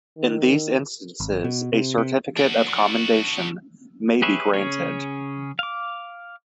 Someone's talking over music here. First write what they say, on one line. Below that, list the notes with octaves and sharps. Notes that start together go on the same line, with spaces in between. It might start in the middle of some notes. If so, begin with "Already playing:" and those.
In these instances, a Certificate of Commendation may be granted.
D#3
G#1
B2
C3
C3
D4 F#4
G4 G#4 B4 C#5 E5
C#3 C#4 G#4 C#5
F5 D6